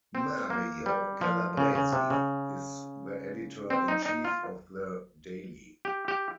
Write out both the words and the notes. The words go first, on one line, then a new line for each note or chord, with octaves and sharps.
Mario Calabresi is the editor-in-chief of the daily.
C4
A#3
G3
F3
C#3
C#3
C3
C#3
C4
D#4
D#4
F4
G4
G4